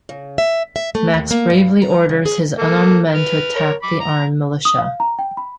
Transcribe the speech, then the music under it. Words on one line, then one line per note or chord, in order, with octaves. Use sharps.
Max bravely orders his unarmed men to attack the armed militia.
C#3
E5
E5
A3
D#2
A#3
G2
A#5
C#3
G#4
A#3 A4
B4 F6
A#4 C#5
B5 D6
A#5
D#6
F5
A#5
G5
B5